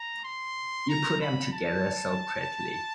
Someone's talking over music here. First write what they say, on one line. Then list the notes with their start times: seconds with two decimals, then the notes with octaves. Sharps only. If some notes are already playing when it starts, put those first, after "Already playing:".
You put 'em together so prettily.
Already playing: A#5
0.24 C6
0.89 A#5
1.21 B5
1.53 A5